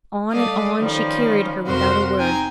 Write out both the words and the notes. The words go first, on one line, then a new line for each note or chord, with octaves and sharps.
On and on she carried her without a word.
G3 A3 A4 D5 D#5 F5
D#3 F3 G3 C#4
F2 C3 F#4 A#4 C5 C6
C4 D#4 G5 G#5 A#5